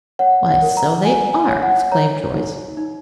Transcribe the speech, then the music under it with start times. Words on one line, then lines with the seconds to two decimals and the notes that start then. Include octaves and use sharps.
"Why, so they are!" exclaimed Joyce.
0.19 C#5 F#5
0.48 F#5
0.62 A#4
0.77 A#5
1.05 F#4 G#5
1.33 G#5
1.48 C#5
1.63 F#5
1.92 C#5 A#5
2.34 D#4
2.77 D#4